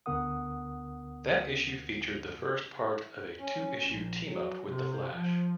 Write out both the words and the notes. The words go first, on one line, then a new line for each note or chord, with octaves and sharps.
That issue featured the first part of a two-issue team-up with the Flash.
D2 D3 B3 A#4 F#5 D#6
C#4
A#1
F#3
C3
F3